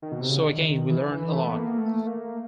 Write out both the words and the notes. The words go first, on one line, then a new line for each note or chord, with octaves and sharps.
So again, we learned a lot.
D#3
B2
C3
C#3
D3
D#3
E3
E3
A3
B3
A#3
A3
A#3